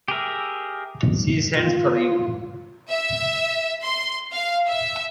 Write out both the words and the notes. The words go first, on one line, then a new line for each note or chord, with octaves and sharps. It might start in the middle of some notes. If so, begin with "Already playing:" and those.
She sends for you.
G4 G#4 A#4 E5
F4
E5
C6
F5
E5